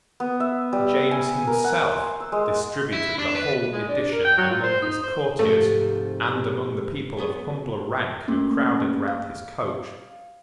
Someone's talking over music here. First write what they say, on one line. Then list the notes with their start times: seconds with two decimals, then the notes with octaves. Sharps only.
James himself distributed the whole edition among his courtiers and among the people of humbler rank who crowded round his coach.
0.20 B3
0.40 E5
0.73 G3
1.11 G#5
1.47 A#4
1.64 F#5
1.92 C5
2.20 E6
2.32 G#3
2.93 E4
3.19 D4
3.35 B4
3.73 G#3
3.89 D4
4.12 A#4
4.24 G5
4.38 F#3
4.50 F4
4.63 C5
4.82 D#4
5.03 C5
5.39 G#2 C3 F3 A3
7.17 F#3 B3 G#4
8.28 A3 A#3 C#4
9.08 F5